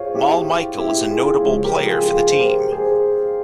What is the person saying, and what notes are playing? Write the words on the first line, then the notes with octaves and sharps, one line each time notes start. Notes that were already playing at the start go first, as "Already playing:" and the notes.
Mal Michael is a notable player for the team.
Already playing: F4 G#4 C5 C#5 F5
E4 G4
E4 G4
F4 G#4
C#3 F3 G#3 C#4
G4 A#4
F4 G#4
F4 G#4
C5
G4 A#4
G#4 C5